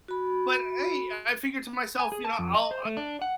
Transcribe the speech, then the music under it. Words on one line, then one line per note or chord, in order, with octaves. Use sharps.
But hey, I figured to myself, you know, I'll
F#4 B5
G#5
G#4
A5
F2
D#5
C5
A3
D4
F#5